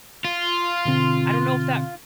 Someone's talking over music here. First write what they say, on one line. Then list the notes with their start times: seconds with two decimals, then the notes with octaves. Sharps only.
I don't know if that
0.25 F4
0.85 B2 D3 C4